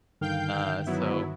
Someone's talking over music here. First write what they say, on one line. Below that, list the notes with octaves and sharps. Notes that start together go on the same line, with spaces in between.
Uh, so
G2 D3 D#3 F5 G5 G6
F#3 B3 E4